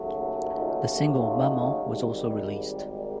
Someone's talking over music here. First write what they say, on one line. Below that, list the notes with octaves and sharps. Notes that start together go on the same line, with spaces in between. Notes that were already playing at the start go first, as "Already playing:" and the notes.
The single "Maman" was also released.
Already playing: D#2 C#3 F#3 A3
D#4 F4
D#4 F4
G#1 G#2 D#3 G3